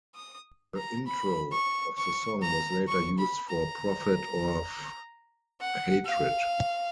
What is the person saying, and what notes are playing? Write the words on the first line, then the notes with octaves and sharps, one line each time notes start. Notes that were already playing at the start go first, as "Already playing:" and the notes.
The intro of the song was later used for "Prophet of Hatred".
D#6
A#5
B5
C#6
C#6
A#5
C#6
B5
A#5
F#5
F5